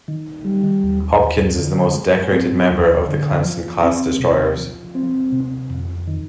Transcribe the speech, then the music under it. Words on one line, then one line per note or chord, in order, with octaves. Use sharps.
"Hopkins" is the most decorated member of the Clemson-class destroyers.
D#3
G3
D#2
D#2
D3
G#3
C4
D#2
D3
F3
C4
C3
F3
C4
C3
F2
D#3